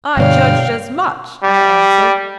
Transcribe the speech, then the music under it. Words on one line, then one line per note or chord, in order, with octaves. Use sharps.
'I judged as much,' I answered.
G2 B2 D3 C#5 D5 F5 G5
G3